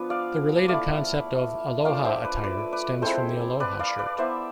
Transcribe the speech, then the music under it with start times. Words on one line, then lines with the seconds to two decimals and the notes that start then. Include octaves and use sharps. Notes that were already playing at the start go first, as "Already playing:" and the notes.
The related concept of "Aloha Attire" stems from the Aloha shirt.
Already playing: F3 B3 D4 B4
0.10 D5 F5
0.68 A3 E4 D5 F5
1.85 A3 D4 F4 D5 F5
2.04 C5 E5
2.24 B4 D5
2.44 B4 D5
2.72 B4 D5
3.02 G#3 C4 E4 A4 C5
3.60 B4 D5
3.79 D5 F5
3.99 B4 D5
4.18 B3 E4 C5 E5